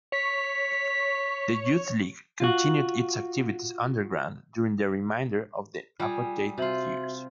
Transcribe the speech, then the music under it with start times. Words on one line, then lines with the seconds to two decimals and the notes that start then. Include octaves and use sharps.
The Youth League continued its activities underground during the remainder of the apartheid years.
0.12 C#5 B6
2.40 F4 F#4
6.00 G3 F4 G#4
6.58 C3 F4 F#4 E5 F#7